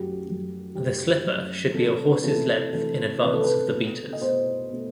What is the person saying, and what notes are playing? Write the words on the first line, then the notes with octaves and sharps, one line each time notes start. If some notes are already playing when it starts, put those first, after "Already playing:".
The slipper should be a horse's length in advance of the beaters.
Already playing: F#2 F#3 A3 F#4 G4
F#2 F#3 A3
F#2 F#3 A3 G4
F#2 F#3 A3
C3 E3 A3 A4
A4
B4
C3 E3 A3 A4
C3 E3 A3
C3 E3 A3 B4
A4
B4
B2 A3
D#5
B2 A3 C5
B2 A3